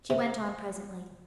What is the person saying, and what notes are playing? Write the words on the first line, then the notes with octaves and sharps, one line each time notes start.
She went on presently.
C3